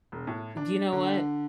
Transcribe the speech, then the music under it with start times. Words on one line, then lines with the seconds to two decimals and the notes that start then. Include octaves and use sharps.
Do you know what?
0.12 E1
0.27 A2
0.57 D4
0.93 D3